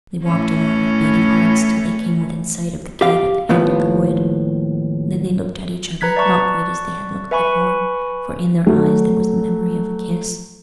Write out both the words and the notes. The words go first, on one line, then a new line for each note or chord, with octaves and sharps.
They walked along with beating hearts till they came within sight of the gate at the end of the wood. Then they looked at each other, not quite as they had looked before, for in their eyes there was the memory of a kiss.
A2 E3 C#4
G4 F5
D#2 A2 F3 B3
B4 A#5 F#6 G#6 B6
D5 E5 A5 C#6 F#6
B4 E5 G#5 B5 C#6
F#3 A3